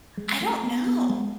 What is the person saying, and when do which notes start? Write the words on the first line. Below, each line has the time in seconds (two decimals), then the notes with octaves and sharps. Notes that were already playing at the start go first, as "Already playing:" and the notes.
I don't know.
0.18 G#3
0.41 A3
0.64 B3
0.87 B3
1.09 G#3